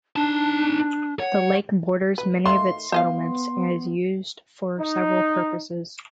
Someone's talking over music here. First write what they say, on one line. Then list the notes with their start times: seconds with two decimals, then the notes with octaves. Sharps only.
The lake borders many of its settlements and is used for several purposes.
0.16 D4 D#4 A5
1.20 C#5 F#5
2.18 B4
2.46 D#3 A3 F5 C6
2.92 B3 C5 D#5 F5
4.79 D#4